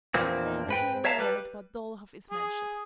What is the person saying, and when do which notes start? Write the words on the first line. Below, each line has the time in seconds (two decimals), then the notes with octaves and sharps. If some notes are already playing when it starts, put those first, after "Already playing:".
We never hear a word but Dolokhov is mentioned.
0.14 E2 A#2 F3 A#3 C4
0.68 G#2 B4 G5
1.05 C#5 E5 F5 A5 A#5
1.18 G3 B4
2.31 G#4